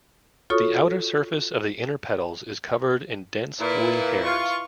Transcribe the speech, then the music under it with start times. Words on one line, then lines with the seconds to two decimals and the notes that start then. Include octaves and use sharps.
The outer surface of the inner petals is covered in dense woolly hairs.
0.50 F4 F#4 A4 C#5 C#6 D#6
3.60 A#2 E4 B4
4.24 F4 C#6